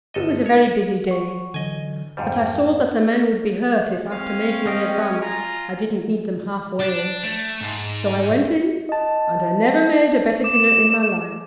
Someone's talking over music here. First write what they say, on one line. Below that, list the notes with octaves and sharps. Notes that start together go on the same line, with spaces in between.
It was a very busy day, but I saw that the men would be hurt if, after making the advance, I didn't meet them half-way, so I went in, and I never made a better dinner in my life.
G1 A4 D#5
C#5
F#5 C#6
D3 E3 F#3 D#5 G#5
F2 G#2 G3 C5 F5 G5
C4 C#4 F5
G#3 D#5 G5
F4 G#5 A#5
D4
A3
G#2
D#5 A5
D6 E7